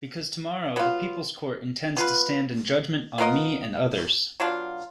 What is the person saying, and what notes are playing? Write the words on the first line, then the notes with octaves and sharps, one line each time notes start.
Because tomorrow the People's Court intends to stand in judgment on me and others.
F#3 B3 F4
B3 F4 B4
B3 F4 A#4 D#5
B2 F#3 D4 F4